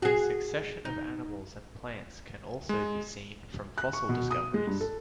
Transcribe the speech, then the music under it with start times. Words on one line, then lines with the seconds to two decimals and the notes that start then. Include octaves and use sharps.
A succession of animals and plants can also be seen from fossil discoveries.
0.02 F#4 G#4
0.85 D#4
2.69 G#3
3.78 F#6
3.93 C#6
4.09 B2
4.31 D#6
4.54 G#3
4.67 G2
4.81 A4